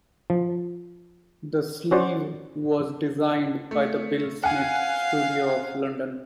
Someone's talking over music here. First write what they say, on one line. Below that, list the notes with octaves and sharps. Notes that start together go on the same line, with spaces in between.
The sleeve was designed by the Bill Smith Studio of London.
F3
C#4 F#4 C5 D5
A3
F5 F#5 G#5